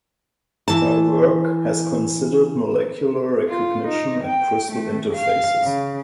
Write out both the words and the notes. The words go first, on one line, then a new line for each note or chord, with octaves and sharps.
Her work has considered molecular recognition at crystal interfaces.
E3 A5
F4
D#4
G5
A3
F5
C#3